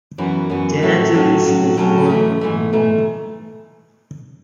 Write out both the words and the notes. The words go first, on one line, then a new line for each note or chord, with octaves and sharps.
De Angelis was born in Rome.
F#2 E3 B3 F#4
F#2 E3 B3 F#4
A2 F#3 C#4 F#4 A4
A2 F#3 C#4 F#4 A4
A2 F#3 C#4 F#4 A4
A2 F#3 C#4 F#4 A4
G#2 E3 A3
G#2 E3 A3
G#2 E3 A3